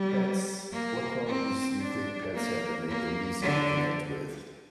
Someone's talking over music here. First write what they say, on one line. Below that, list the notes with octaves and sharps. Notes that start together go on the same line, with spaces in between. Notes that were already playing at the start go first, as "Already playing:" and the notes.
pets. What qualities do you think pets have that make them easy to connect with?
Already playing: G3
A#3
C4
D4
A#3
A#3
D3